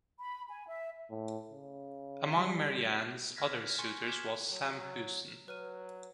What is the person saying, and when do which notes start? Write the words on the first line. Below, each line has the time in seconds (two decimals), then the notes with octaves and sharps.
Among Mary Anna's other suitors was Sam Houston.
0.19 B5
0.49 G#5
0.67 E5
1.11 A2
1.49 C#3
2.35 G3
3.36 F6 F#6 G#6 A#6 B6
3.78 G#5 C6 C#6 C#7
4.07 D6 F6 F#6 G#6 B6 E7
4.51 F#3
5.48 F#3 B4 F6 D#7